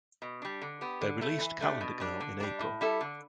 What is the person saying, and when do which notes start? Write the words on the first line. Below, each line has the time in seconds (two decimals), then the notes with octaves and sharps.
They released "Calendar Girl" in April.
0.22 B2
0.42 G3 D4
0.62 D3
0.81 B3 G4
1.01 D3
1.21 A3 E4 A4
1.41 E3
1.61 A3 D4 G4
1.81 B2
2.00 G3 D4
2.20 D3
2.40 G3 D4
2.61 A2
2.81 G3 E4 A4
3.01 D3